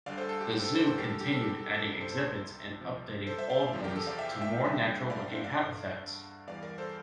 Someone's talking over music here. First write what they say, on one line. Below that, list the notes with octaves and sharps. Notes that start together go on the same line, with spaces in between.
The zoo continued adding exhibits and updating old ones to more natural-looking habitats.
D2 D3 G3 D5 F5
A4 C5
A4
G4
G4
A4
A4 C5
A4 C5
E2 D3 G3 G4 A#4
A4
G4
A4
G4
A4
A4
C2 C3 G3 A4
A4 C5
A4 C5
A4 C5
C2 C3 F3
A4 C5
C5 E5
D5 F5
D5 F5
E2 C3 F3
G4 A#4
A4
D5 F5
E5 G5
E5 G5
E2 D3 G3
D5 F5
C5 E5
D5 F5
G2 D3 G3
E2 E3 G3 D5 F5
A#4 D5
A4 C5